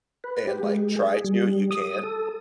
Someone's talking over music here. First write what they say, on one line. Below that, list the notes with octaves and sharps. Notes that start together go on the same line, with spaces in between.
and, like, try to, you can,
B4
G4
G#3
G#4
G3
D#6
A4